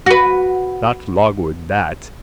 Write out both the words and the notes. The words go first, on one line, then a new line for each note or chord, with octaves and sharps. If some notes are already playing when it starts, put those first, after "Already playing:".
Not logwood that.
F#4 B4